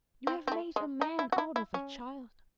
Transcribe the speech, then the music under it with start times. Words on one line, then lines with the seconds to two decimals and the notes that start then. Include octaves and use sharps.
You have made a man out of a child.
0.27 C4
0.47 C4
0.52 A3
0.76 G#3
1.01 D#4
1.19 E4
1.32 F#4
1.38 E4
1.56 E4
1.74 C#4